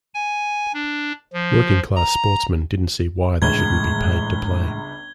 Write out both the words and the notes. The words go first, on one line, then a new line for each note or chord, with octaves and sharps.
Working class sportsmen didn't see why they shouldn't be paid to play.
G#5
D4
F3
A#5
G1 C#2 A2 E3 G#3 G#6 G7